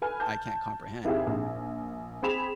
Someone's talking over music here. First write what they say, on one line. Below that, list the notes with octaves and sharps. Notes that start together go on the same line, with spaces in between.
I can't comprehend.
A4 B4 G#5 F6
A5 G6
G#1 E4 G4 G#4 E5
A#1
C4 G#4 B5 E7 F7